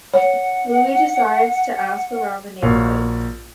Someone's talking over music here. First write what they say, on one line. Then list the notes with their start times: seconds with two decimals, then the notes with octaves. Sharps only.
Louis decides to ask around the neighborhood.
0.14 C#5 F#5
2.62 A#1 A#3 F#4 C#5 F5